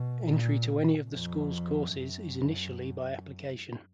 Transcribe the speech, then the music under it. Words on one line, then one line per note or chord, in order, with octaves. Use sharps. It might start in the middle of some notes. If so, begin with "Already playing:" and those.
Entry to any of the school's courses is initially by application.
Already playing: B2
A#2
F2
F#2